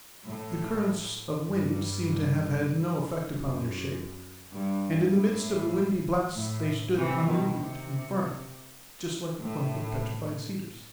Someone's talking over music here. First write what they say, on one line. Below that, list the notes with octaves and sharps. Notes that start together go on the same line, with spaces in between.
The currents of wind seemed to have had no effect upon their shape, and in the midst of the windy blasts they stood unmoved and firm, just like a clump of petrified cedars.
A2
G2
F#2
G2
A2
A2
C3 E3
B2 D#3
C3
A2